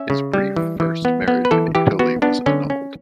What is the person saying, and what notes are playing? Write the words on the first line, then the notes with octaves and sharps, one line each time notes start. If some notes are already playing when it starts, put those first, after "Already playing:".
His brief first marriage in Italy was annulled.
Already playing: C#4 E5
C#3
G3
E3
E3
B3
B3
B4
E3 A4
E3 G4
B3 F#4
B3 D4
D3 C#4
C#4